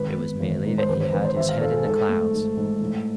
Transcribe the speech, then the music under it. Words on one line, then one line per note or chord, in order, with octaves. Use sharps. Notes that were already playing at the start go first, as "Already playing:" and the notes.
It was merely that he had his head in the clouds.
Already playing: G#1 B4
B3
G#1
G#2
C5
G#1 B4
C5
G#1 B4
C5
G#1 E5
F5
G#2 A4
G#4
G#2 A4
A3
G#2
G#2
A2